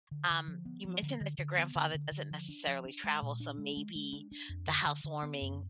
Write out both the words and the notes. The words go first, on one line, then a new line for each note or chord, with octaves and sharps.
um, you mentioned that your grandfather doesn't necessarily travel, so maybe the housewarming
D3
D3
F3
B3
F3
D3
D3
D3
B3
D3
D3
D3
F3
D4
F3
D4
G#3
A#2
D4
G#3
G#3
G#3
D4
D4
F2
D3
D3
D3
B3
F#2